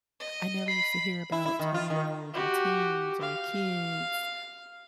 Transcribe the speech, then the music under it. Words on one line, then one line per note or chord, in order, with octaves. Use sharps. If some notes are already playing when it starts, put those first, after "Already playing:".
I never used to hear about twenty-year-olds or teens or kids,
D#5
B5 C7
E4
E4
D#3
F4
D#3
F#4 G4
F5